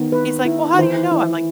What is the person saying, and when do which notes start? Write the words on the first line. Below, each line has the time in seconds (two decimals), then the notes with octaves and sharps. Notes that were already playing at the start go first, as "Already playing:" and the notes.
He's, like, "Well, how do you know?" I'm, like,
Already playing: D#3 B3
0.12 B4
0.45 E4
0.74 D#3
0.79 E3 C5
1.12 E4